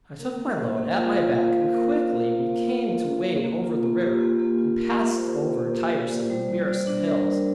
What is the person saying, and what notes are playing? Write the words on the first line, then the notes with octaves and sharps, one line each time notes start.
I took my load at my back, and quickly we came to wade over the river; and passed over tiresome and wearisome hills.
A#3 A#4
A#3
A#3 C5
A#3
F4 F5
F4
F4 F5
F4
A#3 A#4
F4
A#3
A#3
A#3
F4
A#3
A#3
A#3
A#3
F4
A#3
F4 G4
A#3
A#3
F4
F4 A#4
F4
A#3 C5
A#3
A#3 C5
A#3
F4 D5
A#3
G3 C5
G3
G3 D5
D4
G3 A#4
G3